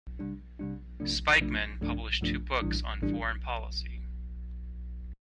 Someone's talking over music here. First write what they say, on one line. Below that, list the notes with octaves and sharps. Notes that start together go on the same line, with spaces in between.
Spykman published two books on foreign policy.
C3 G3 D4
C3 G3 D4
C3 F3 A3 D4
C3 F3 A3 D4
G2 F3 A3 D4
G2 F3 A3 D4
A#1 A2 E3 G3 D4
A#1 A2 E3 G3 D4